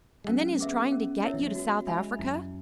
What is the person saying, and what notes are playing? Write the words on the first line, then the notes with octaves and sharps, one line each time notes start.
And then his trying to get you to South Africa.
G#3
F#3 C#4
G#3
B3 G#4 E5
C#4
E4 C#5 E5
E3
F#3
G#3
B3 F#4
G#3 E5 G#5 B5
F#2 E4